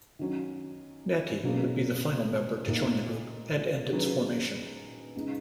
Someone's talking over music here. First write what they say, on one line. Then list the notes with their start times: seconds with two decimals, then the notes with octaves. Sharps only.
Natti would be the final member to join the group and end its formation.
0.19 D#3 F#3 C#4 F#4
1.43 B2 F#3 A#3 C#4 G#4
2.67 A#2 A#3 D#4 A#4
3.92 D#3 F#3 C#4 G#4 B4
5.16 C#3 G#3 D#4